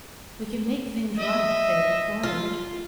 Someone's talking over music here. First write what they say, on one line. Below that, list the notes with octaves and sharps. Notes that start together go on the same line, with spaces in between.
We can make things right if they require it.
D#5 E5
F4